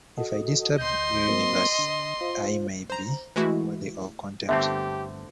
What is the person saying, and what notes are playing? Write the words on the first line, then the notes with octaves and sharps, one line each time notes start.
If I disturb your universe I may be worthy of contempt.
F#4 A4 D#5
D2 D#5 C6 G6
F#3 A#3 C4
D3
F4 C5
C5 A#5
E3 G#3 A3 E4 F#4
G1 D3 A3 B3 C4 G4 E5 A5